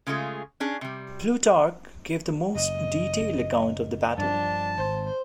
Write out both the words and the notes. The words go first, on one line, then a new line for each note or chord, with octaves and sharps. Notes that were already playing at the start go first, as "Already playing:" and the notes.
Plutarch gave the most detailed account of the battle.
C#3 G#3 A3 F4 G#4
C#4 D4 G#4
C3 G3
F#1 D#5
G2 F3 D4 A5
G#1 C5